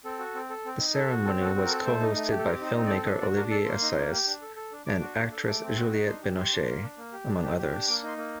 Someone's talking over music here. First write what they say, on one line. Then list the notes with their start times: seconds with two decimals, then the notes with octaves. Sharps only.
The ceremony was co-hosted by filmmaker Olivier Assayas and actress Juliette Binoche, among others.
0.04 C4 A4
0.19 F#4
0.35 C4
0.50 A4
0.65 C4
0.80 D#4
0.95 A4
1.10 F#4
1.25 C4 A4
1.40 F#4 A4
1.55 C4
1.66 A#4
1.70 A4
1.85 A3 C5
2.00 D#4
2.15 A3
2.31 G4
2.38 A4
2.46 C4 A#4
2.61 D#4 C5
2.76 C4
2.86 D5
2.90 A4
3.06 D4 D#5
3.21 F#4 D5
3.36 D4 A#4
3.51 A4 D5
3.66 A#3 C6
3.82 D#4
3.96 A#3
4.12 G4
4.26 D4
4.42 A4
4.56 A4
4.72 D4
4.86 D4 D6
5.01 F#4
5.17 D4
5.32 A4
5.47 A3 D6
5.62 C4
5.77 F#4
5.93 D#4
6.07 D4 C6
6.22 G4
6.37 G4 C6
6.52 D4
6.68 A#3
6.83 D4
6.98 A#3
7.13 G4
7.28 D4
7.43 G4
7.58 G4
7.73 D4
7.87 A#3 D6
8.04 D#4 C6
8.18 A#3